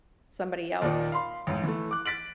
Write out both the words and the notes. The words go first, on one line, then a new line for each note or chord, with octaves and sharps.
somebody else
D#2 A#2 D#3 D#4 D5 D#6
F5 B5 C6
A1 G#2
E3 A3
D6 F#6
A6 B6 D7 F#7